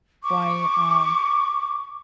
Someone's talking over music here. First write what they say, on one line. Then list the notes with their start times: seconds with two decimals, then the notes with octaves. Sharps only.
why um
0.23 C#6 D6